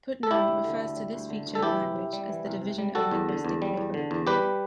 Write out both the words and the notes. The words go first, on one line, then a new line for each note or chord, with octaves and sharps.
Putnam refers to this feature of language as "the division of linguistic labor".
A4
G3 E4 G4
D2
D3
D2
G3
D2
D3
D2
A4
E3 E4 G4
C2
C3
G3
E3
C2
C3
G3
G3 F#4 A4
E2
D3
E2
G3
E2
D3
E2
G3 G4 B4